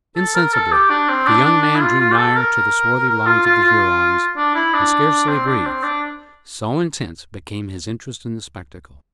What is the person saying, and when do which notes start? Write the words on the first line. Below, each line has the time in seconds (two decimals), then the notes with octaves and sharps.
Insensibly the young man drew nigher to the swarthy lines of the Hurons, and scarcely breathed, so intense became his interest in the spectacle.
0.16 A4
0.35 A#4
0.53 A4
0.72 G4
0.90 D4
1.09 C4
1.27 D4
1.45 D4
1.62 D4
1.75 E4
1.81 F4
2.00 F4
2.12 G4
2.18 A4
2.36 A#4
3.09 A#4
3.27 F4
3.46 F4
3.63 F4
4.37 D4
4.55 E4
4.74 D4
5.28 C4
5.47 D4
5.66 C4
5.83 D4